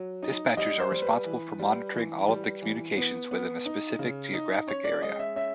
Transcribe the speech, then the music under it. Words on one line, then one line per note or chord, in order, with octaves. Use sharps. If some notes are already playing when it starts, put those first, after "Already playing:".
Dispatchers are responsible for monitoring all of the communications within a specific geographic area.
Already playing: F#3
D#4
G3 D#5
C5
G3
B4
E3
G3
E3
G3
E3
B3
B3
D#4
C#3
D#4
C#4 C#5
D5
G#3 D#5
E5
C#4 E5